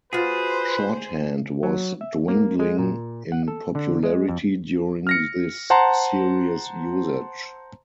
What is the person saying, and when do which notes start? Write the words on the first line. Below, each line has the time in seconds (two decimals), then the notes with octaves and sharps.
Shorthand was dwindling in popularity during this series' usage.
0.13 F4 F#4 G#4 B4 C5
1.63 F#3
2.01 E5
2.28 A#3
2.59 G#3
2.79 A#2
3.32 F#5
3.48 A4
3.75 D3
4.03 G#3
4.28 F2
5.07 F6 A#6 C#7
5.70 C5 F#5 A5 A#5 C6